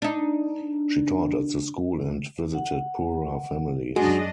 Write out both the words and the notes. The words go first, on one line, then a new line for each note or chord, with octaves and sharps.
She taught at the school and visited poorer families.
D4 D#4
F#5
F#2 G#3 D4 F#4 D#5